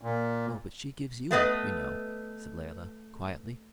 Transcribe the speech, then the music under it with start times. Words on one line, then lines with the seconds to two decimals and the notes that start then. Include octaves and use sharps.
"Oh, but she gives you up, you know," said Layelah, quietly.
0.02 A#2
1.31 A3 B3 B4 D#5